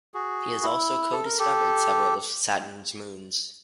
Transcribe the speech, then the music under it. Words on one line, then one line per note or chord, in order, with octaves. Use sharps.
He has also co-discovered several of Saturn's moons.
F#4 G#4
E4
A4
A#4
G4 A4